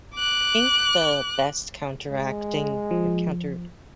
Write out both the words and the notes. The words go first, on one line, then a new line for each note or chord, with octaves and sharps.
Think the best counteracting, or counter
D6 F#6
G#3
F3